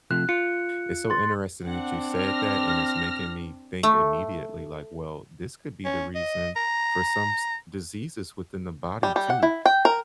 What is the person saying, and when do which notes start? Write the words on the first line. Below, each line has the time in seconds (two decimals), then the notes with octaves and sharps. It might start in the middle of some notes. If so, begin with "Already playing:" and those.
it's so interesting that you said that, and it's making me think immediately, like, well, this could be the reason for some s diseases within the body too,
0.11 C3 F3 A3 F#6
0.29 F4 C#7
1.10 C6 A6
1.65 C4 D4 F#5
2.17 F6 A#6
3.83 A3
5.85 C#4
6.15 D#5
6.56 A#5
9.03 G3
9.16 G3
9.30 F#5
9.43 E4
9.66 G5
9.85 A#4